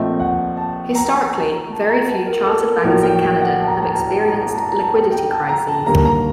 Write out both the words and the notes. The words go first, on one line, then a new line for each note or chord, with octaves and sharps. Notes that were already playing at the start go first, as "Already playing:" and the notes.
Historically, very few chartered banks in Canada have experienced liquidity crises.
Already playing: A#1 A#2 A3 C4 D#5
F#5
A5
A#5
A5
A#5
A5
A#5
A5
A#4
A4
A#4
A#1 A2 F#3 A#4
G5
G5
F#5
A5
A#5
A5
A#5
A5
A#5
A5
A#5
A5
A#5
A5
A#5
A5
A#5
A5
A#5
A5
A#5
A5
G5
A5
A#5
A5
D#2 D3 G3 A#3 A#5
A#5